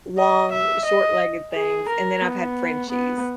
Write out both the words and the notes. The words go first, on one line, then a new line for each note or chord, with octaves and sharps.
long short-legged things, and then I've had Frenchies.
D#5
E5
D#5
G#4
A#4
B3
B3